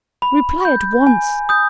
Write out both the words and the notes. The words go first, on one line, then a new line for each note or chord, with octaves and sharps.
Reply at once.
B5
G6
G#5
D#6 G6